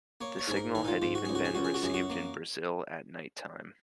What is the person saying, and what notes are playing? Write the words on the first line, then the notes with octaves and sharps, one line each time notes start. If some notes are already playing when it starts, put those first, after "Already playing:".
The signal had even been received in Brazil at night-time.
A#3 C#5
C#5
G#2 G#4
A#4
D#3 G#4
D#4
F4
G#2 F4
F#4
C#2 G#4
F#4
G#4
C#2 F#4
G#4
F#4
F#2 G#4
F#4
A#3